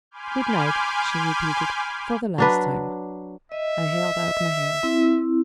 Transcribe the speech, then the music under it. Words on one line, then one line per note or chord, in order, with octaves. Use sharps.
"Good-night," she repeated, "for the last time." I held out my hand.
G#5 B5 C6 D6 F6 G6
F#3 D4 B4
D#5 E5
C4 E4